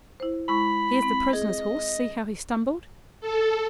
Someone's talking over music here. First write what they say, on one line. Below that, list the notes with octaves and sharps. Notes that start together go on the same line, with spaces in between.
Here's the prisoner's horse, see how he stumbled?
E4 C5
G#3 E4 B5 C#6
C4
G#4 D#5
A4